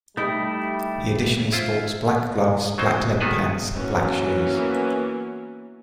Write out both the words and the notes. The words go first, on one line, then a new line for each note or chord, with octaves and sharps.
He additionally sports black gloves, black leather pants and black shoes.
G3 A3 D#4 E4
E4 F4 C5
F#3 C4 D#4 C5
D#3 B3 F#4 G#4 A4 B4
E3 F#3 A#3 B3 C#4